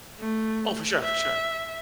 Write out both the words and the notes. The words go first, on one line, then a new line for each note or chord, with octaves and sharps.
Oh, for sure, for sure.
A3
E5